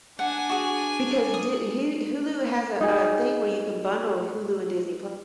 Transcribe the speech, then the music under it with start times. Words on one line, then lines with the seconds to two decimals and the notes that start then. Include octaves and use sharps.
Because Di he Hulu has a a thing where you can bundle Hulu and Disney+.
0.19 D4 F#5 G#5
0.50 F#4 G#4
1.34 D#6
2.81 D#4 G#4